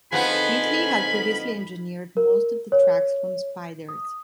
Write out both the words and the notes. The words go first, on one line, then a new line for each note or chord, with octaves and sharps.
Wheatley had previously engineered most of the tracks from "Spiders".
F2 D3 F3 B3 D#4 G#4 B5
A#4
C#5
D#6